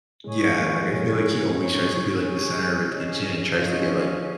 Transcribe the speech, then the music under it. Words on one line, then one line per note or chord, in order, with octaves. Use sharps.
Yeah, like, I feel like he always tries to be, like, the center of attention and tries to get, like,
G#3 G#4 C#5 G#5 C#6
A#3
F3
G3
G#3 G#4 C#5 G#5 C#6
G#4 C#5 G#5 C#6
G3 G#4 C#5 G#5 C#6
C#4 G#4 D#5
F3 C#4 G#4 D#5
C#4 G#4